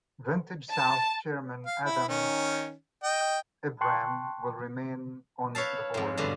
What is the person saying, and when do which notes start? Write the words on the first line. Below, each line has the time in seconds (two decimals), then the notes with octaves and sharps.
VantageSouth chairman Adam Abram will remain on the board.
0.71 A5
1.66 F5
1.86 E4 B5
2.08 D#3 C#4
3.04 D#5 G5
3.81 G5 A5 C6 C#6 F#6
5.55 B4 C#5 E5 F5 A5
5.94 F2 G#2
6.17 G2 B2 D3